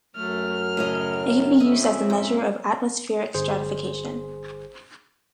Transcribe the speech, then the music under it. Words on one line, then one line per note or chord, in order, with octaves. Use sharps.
It can be used as a measure of atmospheric stratification.
F#2 F#3 A3 F6
A2 C#3 C#5 D#5
F2 A3 C#4 D#5 E5
G#2
G1 G#4 C5